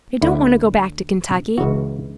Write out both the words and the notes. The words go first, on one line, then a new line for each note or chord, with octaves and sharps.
I don't want to go back to Kentucky!
D2 D3 E4
C#2 C#3 E3 F#4